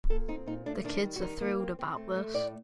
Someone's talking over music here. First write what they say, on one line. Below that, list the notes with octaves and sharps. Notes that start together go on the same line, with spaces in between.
The kids are thrilled about this.
A#2 A4
C4 D#4
A#2 D#4
A3 D4
D#3 D4
G3
F#4
D#3 D#4
A#3
C4
C4
A3
A3
A2 D5